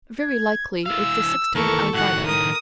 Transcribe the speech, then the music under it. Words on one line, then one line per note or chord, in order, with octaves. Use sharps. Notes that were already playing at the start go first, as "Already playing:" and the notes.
Very likely it's the six-toed albino.
G#6
E3 F5 E6
D#2 E3 A4 A#4 C#6
A2 D#3 F#4 F#5
A#4 D#6